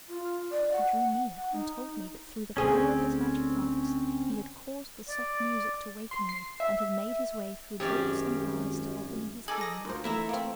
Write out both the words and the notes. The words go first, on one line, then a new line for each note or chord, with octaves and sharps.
He drew near and told me that through the power of his magic arts he had caused the soft music to waken me, and had made his way through bolts and bars to offer me his hand and heart.
F4
D5
F#5
F#5
D#4
D2 C4 C#4 G#4
D5
C6
C7
E5
G#1 F#2 C#4 G4 D5
D#4 G#4 A4 D6 G#6 F#7
D#6 A#6
D2 F4 A#4 C5
E3 A3 E4 A4 E5 A#5
A#3 C4 E5